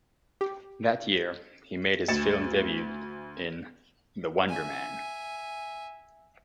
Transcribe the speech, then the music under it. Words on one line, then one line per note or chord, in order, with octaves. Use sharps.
That year he made his film debut in "The Wonder Man".
G4
D2 A6 C#7 E7
E5 G#5